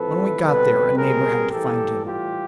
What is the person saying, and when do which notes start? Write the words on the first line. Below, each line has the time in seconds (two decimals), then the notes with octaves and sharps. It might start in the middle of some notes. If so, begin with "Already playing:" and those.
When we got there, a neighbor had to find him.
Already playing: A2 F3 A3 C4 A4 B4
0.42 B2 G3 C4 A4 B4
0.96 G#4 A#4
1.50 A2 E3 G3 G4 A4
2.04 F4 G4